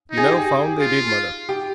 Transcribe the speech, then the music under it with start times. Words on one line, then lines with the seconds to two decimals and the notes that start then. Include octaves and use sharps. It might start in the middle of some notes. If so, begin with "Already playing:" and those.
"You never found they did, mother."
0.11 D#4
0.17 G#4
0.26 G4
0.32 G#4
0.80 F4
1.49 G4